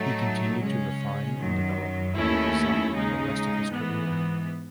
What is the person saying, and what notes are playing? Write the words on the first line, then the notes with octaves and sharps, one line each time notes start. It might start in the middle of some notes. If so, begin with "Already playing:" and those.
He continued to refine and develop the design for the rest of his career.
Already playing: A2 F#3 A3 D#4
C#3 G#3 C#4
F#2 D#3 F#3
D#2 D#3 A3 C#4 E4
C#3 G#3 D#4
G#2 E3 B3